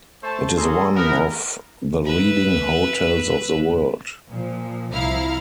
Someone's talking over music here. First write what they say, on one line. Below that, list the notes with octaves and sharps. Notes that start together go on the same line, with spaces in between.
It is one of "The Leading Hotels of the World".
A3 C5 A5
C#4 G#4 A4 A#5 C6
B3 E4 A#4
B4 E5
A#2 F3
C2 F3 E4 F5 A#5 F6